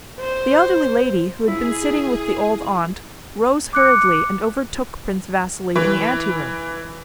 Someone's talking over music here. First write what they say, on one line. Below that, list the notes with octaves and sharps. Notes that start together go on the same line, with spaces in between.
The elderly lady who had been sitting with the old aunt rose hurriedly and overtook Prince Vasili in the anteroom.
C5
E4 G#4
D6 F#6 C#7
E3